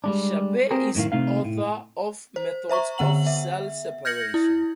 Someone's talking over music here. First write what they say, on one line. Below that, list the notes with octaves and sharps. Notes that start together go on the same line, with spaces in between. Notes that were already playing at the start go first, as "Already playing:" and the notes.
Sharpe is author of "Methods of Cell Separation".
G3 G#3 D4
C4 G4 G#4 A#4
F#2 A2 D#3 F5
C3 A3 D#4 F5
A2
C5
C5 E5 A#5 C#6
D3 B3 F#5 F#7
E5
F6 G6 G#6 A#6 C#7 F#7
E4